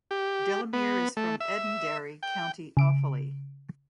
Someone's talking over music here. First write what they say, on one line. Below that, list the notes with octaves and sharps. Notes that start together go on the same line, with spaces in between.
Delamere is from Edenderry, County Offaly.
G4
B3
A3
E5
G5
C#3 D7